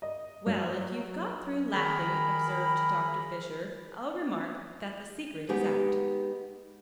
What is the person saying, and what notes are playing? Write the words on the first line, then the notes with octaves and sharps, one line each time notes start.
"Well, if you've got through laughing," observed Dr. Fisher, "I'll remark that the secret is out."
D#5
F#3
D#3 G#4 A#4 B5
G#3 B3 D#4 G4 F#5